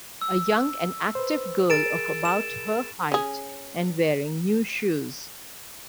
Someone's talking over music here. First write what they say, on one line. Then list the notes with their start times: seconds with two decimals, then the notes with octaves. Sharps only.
A young and active girl of about her height, and wearing new shoes.
0.21 E6
1.15 B4 C5
1.70 G#4 A#4 A6 D7 E7
2.25 E7
3.12 C#4 G#4